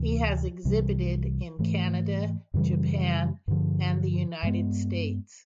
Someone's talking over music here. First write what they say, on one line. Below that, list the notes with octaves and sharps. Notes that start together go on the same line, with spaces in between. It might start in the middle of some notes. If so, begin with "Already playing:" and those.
He has exhibited in Canada, Japan, and the United States.
Already playing: D2 C3 E3
C2 C3 E3 G3
G#2 E3 A3
F#2 C#3 E3 G3
G2 D3 F3
G2 E3 G#3 B3